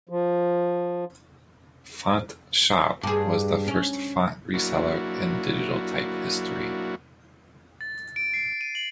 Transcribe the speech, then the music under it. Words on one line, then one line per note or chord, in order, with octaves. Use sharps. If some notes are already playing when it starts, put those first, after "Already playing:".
FontShop was the first font reseller in digital type history.
F3
G2 G#4
C#4
F#3 A#3 D4 E4 F#4
A6
D7
C7
D#7
F#7